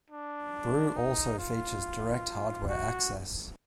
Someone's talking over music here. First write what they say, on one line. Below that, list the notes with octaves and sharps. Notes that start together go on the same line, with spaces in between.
Brew also features direct hardware access.
D4
D#4
F4
F#4